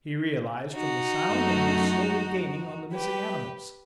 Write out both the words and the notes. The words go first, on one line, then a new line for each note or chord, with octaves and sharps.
He realized from the sound that he was slowly gaining on the missing animals.
D#4 F#4
F#2 F#3 A3
G4 B4